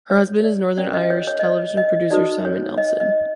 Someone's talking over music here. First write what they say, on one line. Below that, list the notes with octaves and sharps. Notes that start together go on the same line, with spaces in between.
Her husband is Northern Irish television producer Simon Nelson.
C#5
D5
C#4 F#4 A#4 D5
D#5
C#5
C#5
D#5
D5
D#5
D#4 F#4 A4 C5 D5
C#5
D#5
D#5